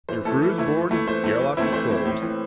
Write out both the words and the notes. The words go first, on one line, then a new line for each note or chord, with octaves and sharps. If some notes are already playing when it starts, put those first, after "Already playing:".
Your crew is aboard, the air lock is closed.
E3 C5
A3 E4 A4
E3
A3 E4
E3
A3 E4
E3 C5
A3 E4
E3
A3 C4 E4
E3 C5
A3 C4 E4
A2
E3 C4